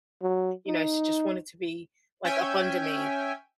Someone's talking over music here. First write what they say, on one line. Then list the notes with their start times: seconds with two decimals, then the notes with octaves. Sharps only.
you know, she just wanted to be, like, up under me,
0.22 F#3
0.67 D#4
2.25 C#4 E5 G5 G#5